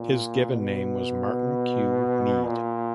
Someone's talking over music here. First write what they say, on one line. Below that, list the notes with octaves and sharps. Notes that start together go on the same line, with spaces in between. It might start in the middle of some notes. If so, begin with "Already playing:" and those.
His given name was Martin Kew Meade.
Already playing: A#2
B2
A#2